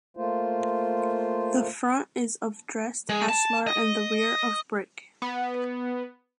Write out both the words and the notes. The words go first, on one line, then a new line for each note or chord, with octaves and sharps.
The front is of dressed ashlar and the rear of brick.
A3 A#3 F4 C5
G#3
A5
D#5
B3